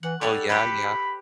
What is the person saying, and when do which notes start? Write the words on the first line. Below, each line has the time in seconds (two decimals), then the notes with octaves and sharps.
Oh, yeah, yeah.
0.03 E3 F#5
0.21 G3 A4 C#5 F#5
0.49 G4 A4 B4 B5